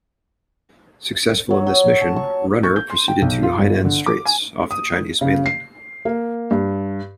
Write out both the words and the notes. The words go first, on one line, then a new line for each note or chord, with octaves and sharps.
Successful in this mission, "Runner" proceeded to Hainan Straits, off the Chinese mainland.
F#3
F#3
A5
C#6
C#6
G6
C6
G5
B1
F4
G1
D3
D6
G#5
D#6
C#3
C7
A#3
G2